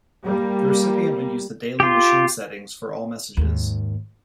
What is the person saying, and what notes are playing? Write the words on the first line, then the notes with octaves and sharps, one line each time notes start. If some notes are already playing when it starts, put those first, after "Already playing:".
The recipient would use the daily machine settings for all messages.
G3 A#3
F4 G4
D#2 G#2